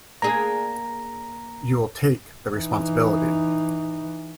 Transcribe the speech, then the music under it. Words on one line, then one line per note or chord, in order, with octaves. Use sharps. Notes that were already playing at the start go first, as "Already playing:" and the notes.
You will take the responsibility.
A#3 D4 G#4 A#5
E3 D#4